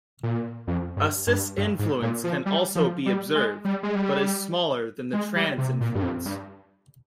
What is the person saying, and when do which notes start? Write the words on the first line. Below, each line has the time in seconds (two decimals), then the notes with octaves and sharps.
A "cis influence" can also be observed, but is smaller than the trans influence.
0.23 A#2
0.67 F2
0.97 G2
1.27 G2
1.57 G2
1.79 G#2
2.02 A#2
2.24 F3
2.46 G3
2.75 F3
3.06 G3
3.35 G#3
3.65 G3
3.83 G#3
3.95 G3
5.13 G#3
5.36 G3
5.58 C3
5.81 A#2
5.95 G2
6.03 F2
6.26 G2